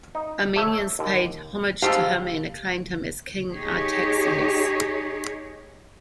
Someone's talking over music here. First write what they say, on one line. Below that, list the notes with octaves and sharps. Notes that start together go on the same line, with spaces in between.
Armenians paid homage to him and acclaimed him as King Artaxias.
D#4
A3 C#5 E5
D#2
G#2 G4 A4 F5
D#4 G4 G#4 C#5